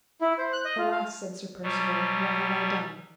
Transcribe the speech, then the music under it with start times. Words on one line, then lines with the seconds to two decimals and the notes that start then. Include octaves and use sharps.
Alas, said Sir Percivale, what have I done?
0.21 E4
0.38 C5
0.53 F#6
0.65 D#5
0.78 F4
0.91 F5
1.63 B2 F#3 G3